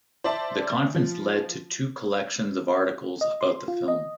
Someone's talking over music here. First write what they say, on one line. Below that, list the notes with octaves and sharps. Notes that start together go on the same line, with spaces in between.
The conference led to two collections of articles about the film.
C5 D5 E5 A5
F3
D#5
C6
F4
D#5